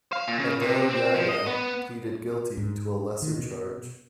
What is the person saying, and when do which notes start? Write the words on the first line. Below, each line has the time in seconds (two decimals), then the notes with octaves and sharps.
Adel Yahya pleaded guilty to a lesser charge.
0.13 F5
0.28 A#2
0.39 C#3
0.61 C3
0.89 C4
1.15 F3
1.29 D#5
1.47 B3
2.57 G#2
3.22 D#3
3.38 B2